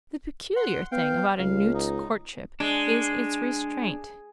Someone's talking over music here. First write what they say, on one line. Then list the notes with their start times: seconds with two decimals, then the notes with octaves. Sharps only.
The peculiar thing about a newt's courtship is its restraint.
0.56 F#5 C6
0.92 B3 F5 G5
1.39 C#2 F5
1.74 D#4
2.60 G#3 D4